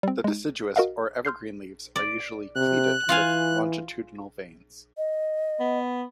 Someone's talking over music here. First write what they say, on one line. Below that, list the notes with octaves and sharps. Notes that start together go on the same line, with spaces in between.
The deciduous or evergreen leaves are usually pleated, with longitudinal veins.
G3 C4
G#3 D#4
F#4 A#4 D#5 F5 F#5
C6 F6 G6 C7
D5
C3 F#6
E3 F4 F5 G#5
D#5
B3